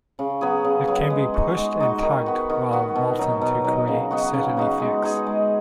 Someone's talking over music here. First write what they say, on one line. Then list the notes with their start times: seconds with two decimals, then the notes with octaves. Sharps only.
It can be pushed and tugged while molten to create certain effects.
0.19 C#3
0.41 F#3 B3 G#4
0.65 C#3
0.87 F#3 B3 G#4
1.10 G#3
1.34 D#4 F#4
1.57 G#3
1.80 D#4 F#4
2.03 D#3
2.26 B3 F#4
2.50 D#3
2.73 B3 F#4
2.96 B2
3.19 F#3 D#4
3.42 B2
3.64 F#3 D#4
3.88 C#3
4.11 B3 D#4 F#4
4.34 C#3
4.57 B3 D#4 F#4
4.80 G#3
5.03 D#4 G#4
5.27 G#3